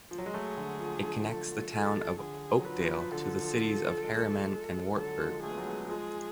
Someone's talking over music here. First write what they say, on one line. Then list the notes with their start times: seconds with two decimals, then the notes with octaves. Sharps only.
It connects the town of Oakdale to the cities of Harriman and Wartburg.
0.11 F3
0.18 F#3
0.26 G#3
0.34 F#3 A3 G#4
0.57 D3 F#3
0.80 F3
1.03 D3
1.26 F3 A4
1.72 A4
2.19 D3 G#4
2.50 F3
2.59 F#3
2.65 F3 B4
2.80 F3
3.11 D3 A4
3.42 F3
4.04 F3 G#3
4.96 D3 F#3 A4
5.20 F3 G#3
5.43 A3 G#4
5.50 B3
5.58 F#3 A3
5.66 G#3 B3
5.89 F3 G#3 G#4